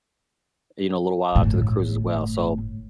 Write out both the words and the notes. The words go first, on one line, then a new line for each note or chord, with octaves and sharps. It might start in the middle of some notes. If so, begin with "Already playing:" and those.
you know, a little while after the cruise as well. So,
G1 A2